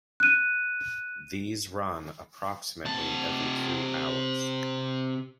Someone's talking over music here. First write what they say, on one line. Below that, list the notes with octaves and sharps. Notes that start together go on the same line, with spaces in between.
These run approximately every two hours.
F#6 D#7
C3 A5